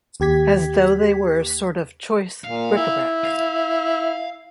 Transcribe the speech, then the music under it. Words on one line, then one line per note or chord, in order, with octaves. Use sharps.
As though they were a sort of choice bric-a-brac.
D#2 G4 G#6 B6
A#2 F5
E4
F5